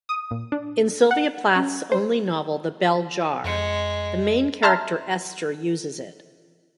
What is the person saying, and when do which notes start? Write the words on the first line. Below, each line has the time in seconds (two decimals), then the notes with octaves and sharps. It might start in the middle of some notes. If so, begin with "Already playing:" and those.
In Sylvia Plath's only novel The Bell Jar the main character Esther uses it.
0.09 D#6
0.31 A#2
0.52 D4
1.11 F#5
1.56 C#4
1.92 C5
3.44 F2 G#3 C#7
4.63 E5 A5 A#5 C6 F6